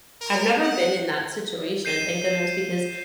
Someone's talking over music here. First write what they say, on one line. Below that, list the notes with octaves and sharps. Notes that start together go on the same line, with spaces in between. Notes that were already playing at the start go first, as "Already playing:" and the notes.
I've never been in that situation- thank goodness- because
A#4
F#5
G6 C7 D#7 E7 G7